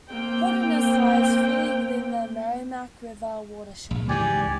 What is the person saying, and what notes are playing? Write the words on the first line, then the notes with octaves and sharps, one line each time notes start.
Holderness lies fully within the Merrimack River watershed.
A#3 C4 G5
A#1
C#2 G#2 E3 G4 D5 G#5